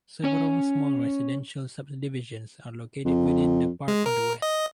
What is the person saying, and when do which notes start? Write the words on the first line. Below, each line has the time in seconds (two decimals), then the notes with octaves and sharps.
Several small residential subdivisions are located within the park on the west.
0.24 C#4 C#5
3.05 F2
3.88 G#3
4.06 A#4
4.42 D#5